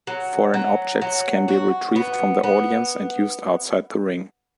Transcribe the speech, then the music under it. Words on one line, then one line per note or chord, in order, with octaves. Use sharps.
Foreign objects can be retrieved from the audience and used outside the ring.
F#3
F#3
F#3
F#4
B3
B3